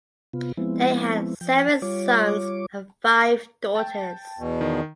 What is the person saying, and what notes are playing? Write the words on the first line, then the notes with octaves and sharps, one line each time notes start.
They had seven sons and five daughters.
C3 B3 F4
F3 G#3 B3 C4 E4
F3 G5
G3 F4 C#5 D6
G5 A5
E2 B2
D#3